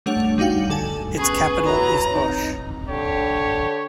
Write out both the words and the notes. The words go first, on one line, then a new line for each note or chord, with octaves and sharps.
Its capital is Osh.
G3 A3 D4 C#5 F#5 F7
G3 D#4 F#4 F5 G5
D3 A4 G#5 A5
B3 C#4 G#4 B4 C#6
E4 F#4 C#5 A#5
C4 D#4
D3 G4 C#5